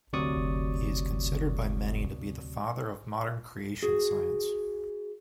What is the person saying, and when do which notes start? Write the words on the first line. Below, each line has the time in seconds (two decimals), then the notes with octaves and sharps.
He is considered by many to be the father of modern creation science.
0.13 D2 C3 F#3 D5 C#6 D#6
3.83 F#4 G#4